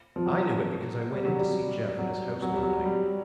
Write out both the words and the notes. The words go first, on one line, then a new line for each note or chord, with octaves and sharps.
I knew it because I went in to see Jeff in his house one night.
F3
F#3
G3
F#3
G3
F#3
F#3
G3
F#3
G3